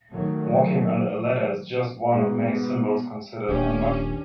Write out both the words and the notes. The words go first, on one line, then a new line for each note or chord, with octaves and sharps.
Walking under a ladder is just one of many symbols considered unlucky.
D#3 F#3 A3
G#2 B2 B3
D#1 D#3 C#4 D4 G4